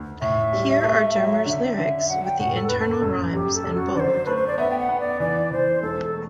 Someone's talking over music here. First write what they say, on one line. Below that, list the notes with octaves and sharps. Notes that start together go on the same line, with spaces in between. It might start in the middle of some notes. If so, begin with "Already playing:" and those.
Here are Dearmer's lyrics, with the internal rhymes in bold.
Already playing: D2
A2 E5
G3
A3
F#3
D3 E5
D3
F#3 F#5
G5
A2 F#5
A4
F#1 B4
A4
F#2
F#2 G4
A4
F#2
F#4
D3 C5 D5
A3 B4
C5
D5
B3 E5
G5
F#5
B3
D5
E3 D5
E3 C5
E1 A4
A3